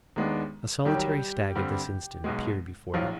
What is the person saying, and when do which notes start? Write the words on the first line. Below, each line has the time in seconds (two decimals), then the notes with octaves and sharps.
A solitary stag at this instant appeared before them.
0.16 D#2 D#3 G#3 B3 D4
0.85 D#2 D#3 F#3 G3 G4
1.55 G2 D3 G3 C4
2.24 B1 B2 G#3
2.94 A#1 A2 F3 F#3 F4